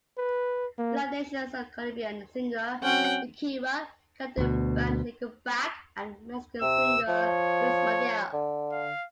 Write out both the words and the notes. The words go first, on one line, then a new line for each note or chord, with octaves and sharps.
Live Nation signed Colombian singer Shakira, Canadian band Nickelback and Mexican singer Luis Miguel.
B4
A#3
F#3 C4 C#4 F#5 G5
D2 B2
C3 E6
F3 C#5
D3
F5